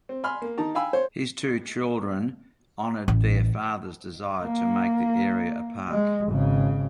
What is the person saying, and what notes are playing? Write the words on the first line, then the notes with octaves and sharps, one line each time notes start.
His two children honored their father's desire to make the area a park.
C4
G#5 B5 C6 F6
A#3
D#3 D#4 A5 A#5
F5 G5 G#5 B5 E6
C5 C#5
A1
A#3
G#3
G#1 C#3